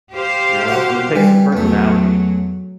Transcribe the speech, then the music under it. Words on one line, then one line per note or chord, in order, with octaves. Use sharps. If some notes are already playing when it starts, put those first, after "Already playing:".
you know? And it takes some personality.
G4 C5 F5
F#4 F#5
E3 G3
E2 F#3 A3